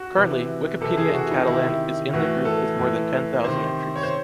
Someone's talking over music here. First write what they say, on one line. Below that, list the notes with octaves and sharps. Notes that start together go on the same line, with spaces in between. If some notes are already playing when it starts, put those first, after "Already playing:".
Currently, Wikipedia in Catalan is in the group with more than ten thousand entries.
Already playing: F#4
C3 E3
C3 E3 A4
G#4
F#4
D#4
C3 D#3 E4
A2 E3 F#4
A4
A2 E3
C3 D#3 C5
C#5
C5